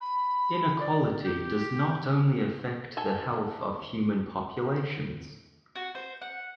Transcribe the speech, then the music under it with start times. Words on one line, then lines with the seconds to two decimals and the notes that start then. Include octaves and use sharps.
Inequality does not only affect the health of human populations.
0.01 B5
0.80 D5
1.22 G4
2.97 A4 G#5
5.76 F#4
5.95 C5
6.22 F#5